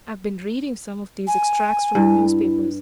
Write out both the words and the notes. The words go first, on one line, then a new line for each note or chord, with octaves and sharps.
I've been reading some of these extracts from the newspapers.
G#5
G2 E4